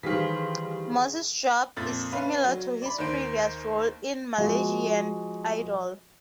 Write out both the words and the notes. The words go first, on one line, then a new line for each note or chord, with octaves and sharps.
Moss's job is similar to his previous role in "Malaysian Idol".
D#3 E3 G3 G#4 C5 F5 F6 B6
F2 A#2 A6
C#4 B4 F5
F#3
D5 B5
D#2 D#3 C5 D7
F3 G#3 F#4